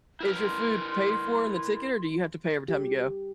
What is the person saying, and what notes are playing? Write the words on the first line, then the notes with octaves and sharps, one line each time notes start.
Is your food paid for in the ticket, or do you have to pay every time you go?
E4 A#4 B4
C6
G4